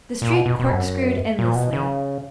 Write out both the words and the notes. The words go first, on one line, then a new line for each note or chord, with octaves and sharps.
The street corkscrewed endlessly.
A#2
B2
B2
B2
F#2
A#2
B2
C#3